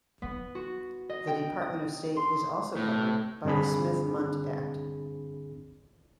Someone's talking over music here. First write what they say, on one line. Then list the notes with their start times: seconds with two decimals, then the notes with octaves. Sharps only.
The Department of State is also covered by the Smith-Mundt Act.
0.22 B3
0.55 F#4
1.10 D#5
1.27 G5
1.62 D#6
2.16 C6
2.76 A2
3.45 G2 D3 C4 D4 G#4 B5